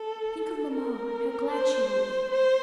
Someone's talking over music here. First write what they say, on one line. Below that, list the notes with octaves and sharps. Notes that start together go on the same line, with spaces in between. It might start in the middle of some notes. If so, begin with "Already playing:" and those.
Think of mamma, how glad she will be!
Already playing: A4
A#4
C5
C5